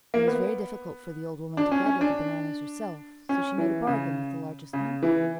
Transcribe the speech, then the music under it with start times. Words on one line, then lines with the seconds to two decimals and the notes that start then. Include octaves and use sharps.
It was very difficult for the old woman to gather the bananas herself, so she made a bargain with the largest monkey.
0.14 A#3
0.28 B3
1.57 D4
1.71 C#4
1.86 C#4
2.01 D4
3.29 C#4
3.58 E3
3.87 C#3
4.73 C#3
5.03 E3